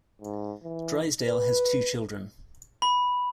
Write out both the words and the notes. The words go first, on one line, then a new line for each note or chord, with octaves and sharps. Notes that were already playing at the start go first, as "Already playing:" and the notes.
Drysdale has two children.
G#2
E3
B4
B5